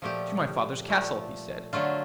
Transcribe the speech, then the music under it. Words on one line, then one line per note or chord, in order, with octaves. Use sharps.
'To my father's castle,' he said.
A#2 F3 A3 G4
A#2 F3 A3
D3 F#3 A3 F4